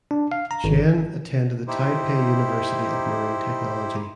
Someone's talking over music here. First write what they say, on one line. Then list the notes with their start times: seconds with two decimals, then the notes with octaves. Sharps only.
Chen attended the Taipei University of Marine Technology.
0.11 D4
0.32 F5
0.51 A#5
0.64 G#1
1.68 D#4 E4 G4 C5